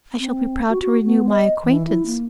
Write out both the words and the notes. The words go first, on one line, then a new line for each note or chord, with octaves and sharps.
"I shall be proud to renew my acquaintance."
C4
F#4
F#4
B3
D#5
E3
E4
A#3